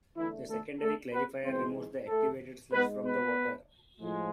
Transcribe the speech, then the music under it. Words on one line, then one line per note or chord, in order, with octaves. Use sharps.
The secondary clarifier removes the activated sludge from the water.
E2 D3 E3 A3 E4
A3 A4
A3 A4
B3 B4
G#2 E3 G#3 C4 C5
A3 A4
G#2 G#3 B3 B4
B3 B4
A2 F3 G#3